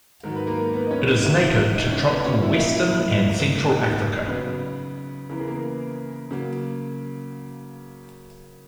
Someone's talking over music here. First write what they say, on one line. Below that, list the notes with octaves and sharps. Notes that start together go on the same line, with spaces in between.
It is native to tropical western and central Africa.
G#2 D#3 F#3 A#4
B4
A#3 A#4
A#4
B3 B4
D#5
C#4 C#5
D#4 D#5
E2 D#3 F#3 B3 E4 E5
D#4 D#5
C#4 C#5
B3 B4
A#2 F#3 A#3 C#4 C#5
E4 E5
D#5
E4 E5
E4 E5
G#2 D#3 A#3
D#4 D#5
C#3 F#3 B3
C#3 E3 B3 A#4
G#4
A#3 A#4
C#3 F#3 A#3